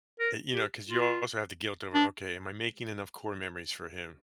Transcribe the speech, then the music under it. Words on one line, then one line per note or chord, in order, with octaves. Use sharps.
Y you know, 'cause you also have the guilt over, "Okay, am I making enough core memories for him
A#4
G4
F4
D4